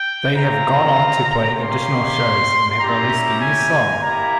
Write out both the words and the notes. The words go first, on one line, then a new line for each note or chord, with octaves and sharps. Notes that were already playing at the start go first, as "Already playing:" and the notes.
They have gone on to play additional shows and have released a new song.
Already playing: G5
C4 F4 A#5
A#3 C#4 G4 C6
G3 C#4 E4 G4 A#5
G#5
A#3 E4 G4 A#5